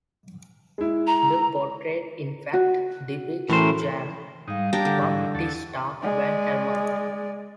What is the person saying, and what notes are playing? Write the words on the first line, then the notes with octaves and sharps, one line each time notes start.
The portrait in fact depicts Jan Baptista van Helmont.
G#3 E4
A#5
F#4
A2 E3 A3 C#4 A#4 C5
G#2 G3 D#4 F5
D4 G4 A#4 A5 A#5
D3
G#2 E3
E2 A4
G#3 D5